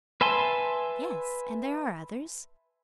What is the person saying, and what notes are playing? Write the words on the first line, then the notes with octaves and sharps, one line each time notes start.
"Yes, and there are others."
B4 E5 G#5 A5 C6